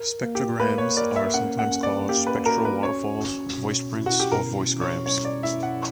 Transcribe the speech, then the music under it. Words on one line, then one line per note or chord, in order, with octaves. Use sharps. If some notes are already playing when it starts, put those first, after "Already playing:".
Spectrograms are sometimes called spectral waterfalls, voiceprints, or voicegrams.
Already playing: A#4
A#3
G4
A#3 B4
C#5
A#4 D5
E5
C#4 F#5
F#5
C#4
D5
A#3 G4
B4
F#4 A#4
B4
C#4 C#5
C#4
B2
E4
F#4
G4
B2 A#4
C#4
C#5
C#4 C#5
D5
E4 E5
F#5